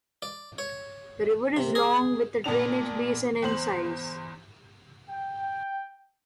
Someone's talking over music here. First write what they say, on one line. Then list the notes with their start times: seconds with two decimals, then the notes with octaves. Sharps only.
The river is long, with a drainage basin in size.
0.22 D5
0.58 C#5
1.57 C3
1.75 G#4
2.44 A#2 B3 D4 F7
3.42 E2 C5 F#7
5.10 G5